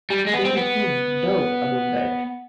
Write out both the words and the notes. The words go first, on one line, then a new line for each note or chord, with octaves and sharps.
There's no doubt about that.
G3
G#3
B3
C4
B3